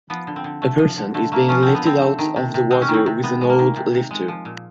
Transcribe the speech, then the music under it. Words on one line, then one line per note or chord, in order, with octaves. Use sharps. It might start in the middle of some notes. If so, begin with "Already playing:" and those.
A person is being lifted out of the water with an old lifter.
F3 B3
D3
C4
D3
A3
F3
D3
D3 A3
A3 A#3
F3 C#4
D3 C4
B3
D3 C4
A3
D#3
C3
C3
G#3 C4
C#4
D#3 C4
C3
C3 B3
G#3
A#3
D#3
C3
C3
G#3
F3
A#2